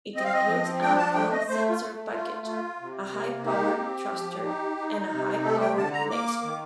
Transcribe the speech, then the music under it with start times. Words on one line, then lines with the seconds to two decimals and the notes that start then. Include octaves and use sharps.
It includes an advanced sensor package, a high-powered thruster, and a high-powered laser.
0.15 C4 D#5
0.25 F5
0.33 D#5
0.48 F3
0.82 D4 G5
0.98 A5
1.14 A3 G5
1.32 D#5
1.47 A3 C5
1.69 F4
1.80 A3
2.13 F4
2.47 F4
2.80 C3
3.13 A#3
3.45 D#4 G4
3.79 C4
4.12 F3
4.45 D#4
4.78 D#4
5.11 C3
5.44 A3 A4
5.61 G5
5.77 D3 A5
5.93 A#5
6.10 A#3 D6
6.43 D#3